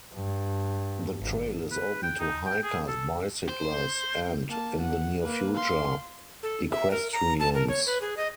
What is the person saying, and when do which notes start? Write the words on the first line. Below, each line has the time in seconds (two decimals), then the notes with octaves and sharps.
The trail is open to hikers, bicyclers, and, in the near future, equestrians.
0.13 G2
1.20 G#1
1.71 B4
2.03 G5
2.19 D#4
2.46 G5
2.63 G#4
2.88 A4
3.49 C5
4.49 A#3 A5
4.81 F#5
5.22 A#3 B4
5.55 F5 C6
6.43 A4
6.71 E5
6.91 A#4
7.13 A#5
7.40 A5
7.54 A#4
7.68 C#5
7.86 B4
8.01 G#4
8.17 D#5